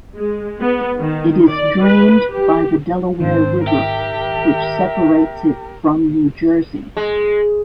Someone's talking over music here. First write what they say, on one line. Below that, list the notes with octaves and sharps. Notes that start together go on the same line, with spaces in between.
It is drained by the Delaware River, which separates it from New Jersey.
G#3
B3
D#3
D5
B4
G4
G#2 D#3 C4 D4 C5
G4 A#4 E5
G#3